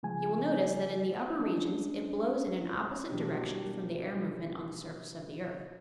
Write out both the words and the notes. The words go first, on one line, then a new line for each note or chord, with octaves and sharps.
You will notice that in the upper regions it blows in an opposite direction from the air movement on the surface of the earth.
C#3 F3 G#3 G#5
G#3 C#4 D4
B2 E3 F#3 A#3 D4 G4